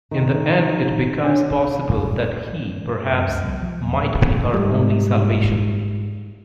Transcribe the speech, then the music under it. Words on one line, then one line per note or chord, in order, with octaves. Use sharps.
In the end it becomes possible that he, perhaps, might be her only salvation.
D#3
D4 C#5
F#2
C#2
B1
F3
E1
B2
G#2 G3